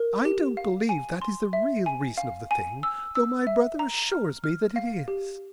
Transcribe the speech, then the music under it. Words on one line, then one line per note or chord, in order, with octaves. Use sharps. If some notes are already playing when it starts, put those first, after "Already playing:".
I don't believe that is the real reason of the thing, though my brother assures me that it is.
Already playing: A#4
G4
F5
G#5
C6
E5
G#5
F5
G#5
E6
E6
E5
A#5
F6
F6
F5
G4